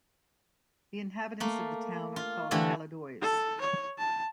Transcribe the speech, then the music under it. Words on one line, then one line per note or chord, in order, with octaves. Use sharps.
The inhabitants of the town are called "Caladois".
A3 A#3
F4
D3 E3 A3 E4 G4 A4
A4
C#5
A5